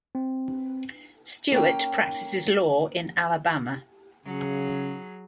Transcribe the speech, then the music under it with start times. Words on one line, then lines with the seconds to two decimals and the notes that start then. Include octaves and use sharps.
Stewart practices law in Alabama.
0.15 C4
1.52 A#3 C#4 G5
4.25 C#3 F#3 G#4